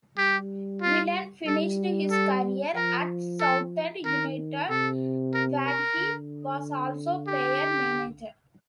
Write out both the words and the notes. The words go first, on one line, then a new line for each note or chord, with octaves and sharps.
Whelan finished his career at Southend United, where he was also player-manager.
G3 G4
F4
G3 A4
A4
F3 A#4
A4
D#3 A#4
C3 A4
A#4
A#4
D3
G4